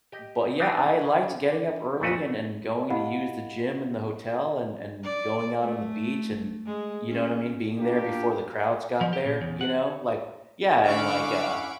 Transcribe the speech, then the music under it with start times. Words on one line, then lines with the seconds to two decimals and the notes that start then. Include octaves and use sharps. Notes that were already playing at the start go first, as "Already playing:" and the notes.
but, yeah, I liked getting up early and and going to use the gym in the hotel and and going out on the beach and, you know what I mean? Being there before the crowds got there, you know? Like yeah, and like, uh,
0.12 G4 D#5
0.58 E3 D4 D#4
1.03 C#3
1.49 D4
2.00 F2 A#2 C#3 A3 F#4 B4
2.90 E4 G4 D#5 F5 F#5 B5
5.04 D5
5.61 A3
6.66 G#3
7.08 C#4
7.78 A#3 D4 F4 G4
9.01 F3
9.13 G4
9.25 A#2
9.41 E2
9.61 F#5
10.85 D3 C#4 E4 F5 F#5 B5 C#6 D6